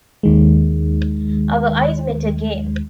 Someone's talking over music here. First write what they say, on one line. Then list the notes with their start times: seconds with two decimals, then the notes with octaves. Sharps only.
Our eyes met again.
0.23 D#2 D#3 G#3